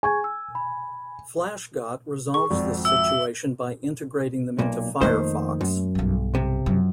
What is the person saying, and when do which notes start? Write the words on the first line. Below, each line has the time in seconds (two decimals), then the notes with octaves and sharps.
FlashGot resolves this situation by integrating them into Firefox.
0.03 G#4 G#5 C#6 G#6
0.24 E6
0.55 B5
2.34 G#4 C#6
2.50 G#1 F2 D5
2.85 E5 E6
4.58 B1 A#2
5.01 F2 D#3 A3 A#3 C5
5.61 F#2
5.95 B1 G2
6.35 C3
6.66 F#2 F3